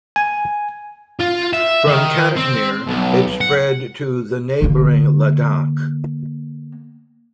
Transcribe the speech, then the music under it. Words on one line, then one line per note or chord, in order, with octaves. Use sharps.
From Kashmir, it spread to the neighbouring Ladakh.
G#5
F4
E5
D#3
C4
B1
F#5
D3 A#3